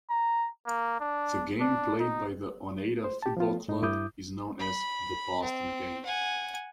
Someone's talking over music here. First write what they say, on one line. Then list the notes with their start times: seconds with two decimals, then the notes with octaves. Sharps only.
The game played by the Oneida Football Club is known as the "Boston game".
0.10 A#5
0.67 A#3
1.00 D4
1.60 D4
2.00 D#4
3.04 C5
3.22 G4 A5
3.37 F3 B3 F4
3.68 G#2 D#4
3.82 G2 E4 D6 D#6 G6
4.59 B5
5.42 C4
6.05 F#5 G#5